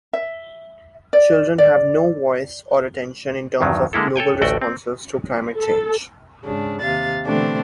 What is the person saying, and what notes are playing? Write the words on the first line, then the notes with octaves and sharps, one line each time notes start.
Children have no voice or attention in terms of global responses to climate change.
E5
D5
D5
E2 G2 D#3 F#3
D3 G#3 A#3 E4 A4
A4 C#5 G5 G#5
A1 D2 A3 F#4 D5 G5
C4
A4
G#2 C#3 D4
D#2 C3 F5 A6
B2 D3 E3 A3 C4 D4